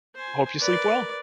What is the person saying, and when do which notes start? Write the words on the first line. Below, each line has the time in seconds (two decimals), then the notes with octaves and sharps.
hope you sleep well.
0.15 C5 G#5
0.60 A#4 B4 D5